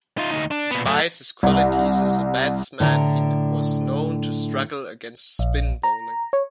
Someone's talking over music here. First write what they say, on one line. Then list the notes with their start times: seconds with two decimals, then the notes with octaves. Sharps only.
Despite his qualities as a batsman, he was known to struggle against spin bowling.
0.18 D#4 F4
0.31 D2 D#4
0.51 D4
0.71 A#2 B3
0.86 F#2 A3
1.43 C2
2.80 A2 D3 D5 A#5
5.39 A#1
5.83 A#5
6.33 C#5